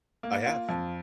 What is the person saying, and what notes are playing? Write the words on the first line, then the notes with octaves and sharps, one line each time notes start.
I have.
A#3
F4
F2